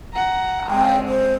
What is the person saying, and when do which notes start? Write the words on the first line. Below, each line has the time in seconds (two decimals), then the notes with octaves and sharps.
I don't know.
0.13 F#5 A#5
0.70 G#3 C4 G5
1.08 C5